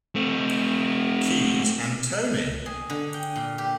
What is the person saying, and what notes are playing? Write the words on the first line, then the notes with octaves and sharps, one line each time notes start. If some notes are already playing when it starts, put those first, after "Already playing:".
Keys and Tony!
A3 C4
G#4
D3
G5
A#2
G4